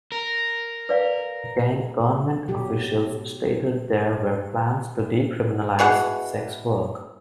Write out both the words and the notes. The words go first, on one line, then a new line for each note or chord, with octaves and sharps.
Again government officials stated there were plans to decriminalise sex work.
A#4
B4 D5 F5
B2 F#3 G4
B2 E3 G#4 F#5